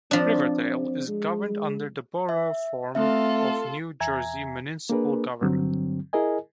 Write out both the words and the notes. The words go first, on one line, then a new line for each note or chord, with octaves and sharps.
Riverdale is governed under the Borough form of New Jersey municipal government.
F3 C4 D4
G#3
E5
A3 C4 F4 A4 E5
E2 E5 G#5 A#5 G#6
A#3 D4 G#4 A#4 B4
G2 D3 F#3 C4
E4 G#4 A#4 D#5 G#5